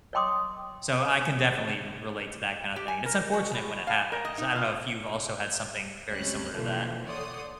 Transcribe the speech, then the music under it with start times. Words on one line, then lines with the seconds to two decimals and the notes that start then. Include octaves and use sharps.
So, I can definitely r relate to that kind of thing. It's unfortunate when it happens. I don't know if you've also had something very similar to that.
0.13 C#5 D#5 G5 C6 D6 D#6
2.76 G4
2.88 G#5
3.06 A#4
3.34 F#4
3.53 A2
3.87 F5
4.12 A#4
4.25 D#5
4.38 D#4
4.56 F4
6.10 D2 G3 G#3 C4 C#4 F#6
6.51 B2 D3 E3 F3 A#3
7.05 A4 C#5 D5 F#5 C6 D#6